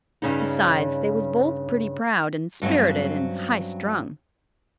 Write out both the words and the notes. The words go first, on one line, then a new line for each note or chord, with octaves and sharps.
Besides, they was both pretty proud and sperrited and high-strung.
G2 C#3 D#4
G2 F#3 C4 C#4